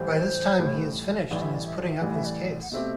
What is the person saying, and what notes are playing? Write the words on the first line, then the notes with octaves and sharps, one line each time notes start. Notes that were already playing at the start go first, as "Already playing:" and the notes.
By this time he has finished and is putting up his case.
Already playing: A1 A2 E3 G3 C5
A1 A2 E3 G3
A1 A2 E3 G3 D5
E5
D5
E5
D5
E5
A1 A2 E3 G3 D5
E5
D5
F#5
B2 A3 C4 G4 E5